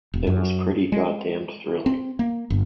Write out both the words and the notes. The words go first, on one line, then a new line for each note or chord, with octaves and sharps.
It was pretty goddamned thrilling.
E1
F#2
G#3
C4
A#3
G1